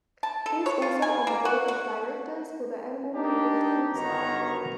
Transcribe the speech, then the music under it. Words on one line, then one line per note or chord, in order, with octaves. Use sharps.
He is also on the Board of Directors for the Animal Legal Defense Fund.
A5
A4
C#5
F4
G#5
A#3
F#4
F#4
D4 D#4 G4
G1 D#3 B3 F#4 C#5 A#5